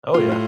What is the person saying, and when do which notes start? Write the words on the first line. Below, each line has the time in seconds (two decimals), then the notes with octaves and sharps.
Oh, yeah.
0.14 A2 F4
0.32 F4